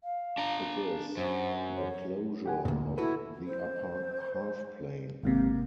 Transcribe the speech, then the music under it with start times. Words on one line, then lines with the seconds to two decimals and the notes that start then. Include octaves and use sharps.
It is the closure of the upper half-plane.
0.04 F5
0.38 D4 A#5
1.17 F#2 C5
1.76 C#5
2.46 G4 F#5 G#5
2.65 D2 G#2 A3 A#3
2.98 E4 F#4 A4 B4
3.47 C5
5.23 G#1 G#2 C3 A#3